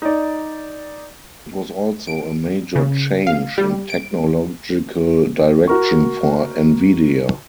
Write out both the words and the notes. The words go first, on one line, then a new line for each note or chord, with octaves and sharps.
It was also a major change in technological direction for Nvidia.
D#4 D5
D7
C#3
F5
G3
D7
F#4 A#4 C#6